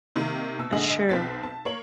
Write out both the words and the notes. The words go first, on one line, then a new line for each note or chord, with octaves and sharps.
That's true.
C3 D#3 A#3
B2 E6
A#1 G#2 D3 G#4 D#5 F#7
B1 B2 C4 A6 B6
A5
A#3 C#5 F#7